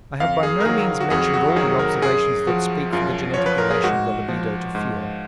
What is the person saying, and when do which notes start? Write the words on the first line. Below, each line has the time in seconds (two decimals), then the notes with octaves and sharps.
I have by no means mentioned all the observations that speak for the genetic relation of the libido to fear.
0.20 F2 F5
0.43 G#4
0.60 A#4
0.65 D#3 F#3 G#4
1.01 F#4
1.10 F2 G#4
1.34 F#4
1.56 D#3 F#3 G#4
1.79 A#4
2.01 F#2 G#4
2.47 F3 F#4
2.93 F#2 F4
3.34 F3 C#5
3.46 B4
3.58 A#4
3.70 G#4
3.83 G#2 F#4
4.29 F3
4.75 G#2